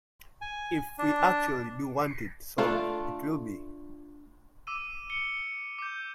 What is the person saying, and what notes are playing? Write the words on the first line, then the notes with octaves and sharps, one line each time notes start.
If we actually do want it solved, it will be.
G#5
D4
A3 D4 F4
D6 E6 D#7
C#7 G7
D6 G6